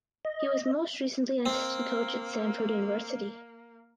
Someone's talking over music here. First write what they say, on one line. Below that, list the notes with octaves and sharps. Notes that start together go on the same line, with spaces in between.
He was most recently an assistant coach at Samford University.
D#5
A#3 C4